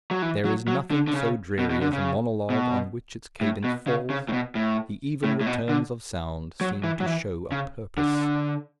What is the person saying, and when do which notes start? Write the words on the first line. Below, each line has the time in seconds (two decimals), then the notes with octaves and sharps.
There is nothing so dreary as a monologue on which its cadence falls. The even returns of sound seem to show a purpose.
0.11 F#3
0.22 E3
0.45 F#3
0.68 F#3
0.91 D3
1.08 D3
1.14 C#3
1.59 B2
1.70 B2
1.82 D3
1.93 C#3
2.50 B2
3.41 A2
3.64 B2
3.87 C#3
4.10 C#3
4.28 A2
4.33 B2
4.55 A2
5.24 A2
5.41 A2
5.46 B2
5.69 D3
6.61 F#3
6.84 E3
7.00 F#3
7.06 E3
7.52 C#3
7.98 D3